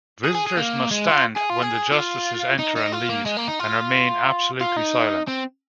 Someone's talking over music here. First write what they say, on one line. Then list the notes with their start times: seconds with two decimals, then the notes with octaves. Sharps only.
Visitors must stand when the Justices enter and leave, and remain absolutely silent.
0.24 G#4
0.35 G#4
0.47 G#4
0.57 A#3
0.91 G#3
1.08 F4
1.36 G#4
1.50 F4
1.62 G#4
1.92 F4
2.59 D#4
2.76 D#4
2.92 F4
3.09 A#3
3.26 G#3
3.37 A#3
3.48 D#4
3.60 F4
4.61 F4
4.76 D#4
5.27 C4